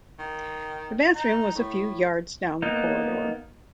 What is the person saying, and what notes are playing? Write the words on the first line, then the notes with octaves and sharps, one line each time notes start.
The bathroom was a few yards down the corridor.
D#3
D#4
A2
A#3 B3 D#4